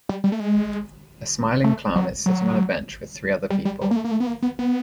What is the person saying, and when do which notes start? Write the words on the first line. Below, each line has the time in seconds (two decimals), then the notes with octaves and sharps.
A smiling clown is sitting on a bench with three other people.
0.09 G3
0.24 G3
0.32 A3
0.40 G#3
1.64 A3
1.95 F#3
2.26 F#3
3.50 G3
3.65 G3
3.81 G3
3.91 A#3
3.96 A3
4.05 A#3
4.11 A3
4.20 B3
4.27 A#3
4.42 B3
4.59 B3